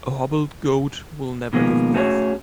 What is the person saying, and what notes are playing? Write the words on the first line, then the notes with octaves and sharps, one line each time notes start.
A hobbled goat will never give birth.
B2 D#3 F3 G#3 A#3
A3 C#4 F#4 G#4 C#5